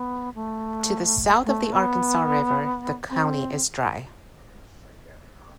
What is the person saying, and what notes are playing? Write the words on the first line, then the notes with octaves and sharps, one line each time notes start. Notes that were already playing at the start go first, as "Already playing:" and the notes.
To the south of the Arkansas River, the county is dry.
Already playing: B3
A3
A3
B3
C4